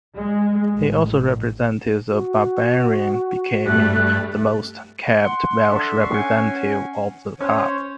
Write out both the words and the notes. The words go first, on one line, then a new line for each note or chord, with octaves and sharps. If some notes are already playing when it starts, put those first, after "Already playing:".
He also represented the Barbarians becoming the most capped Welsh representative of the club.
G#3
A1
F#4
G2 A3 F#6
F#5 C6
D4 A4 E5
C#6 C7
C#4 F#5 G#5
C#4 C5 C#5